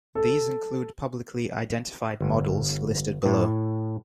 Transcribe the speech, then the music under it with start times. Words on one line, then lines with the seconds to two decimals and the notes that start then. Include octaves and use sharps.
These include publicly identified models listed below.
0.15 A4
2.21 G1
3.26 A2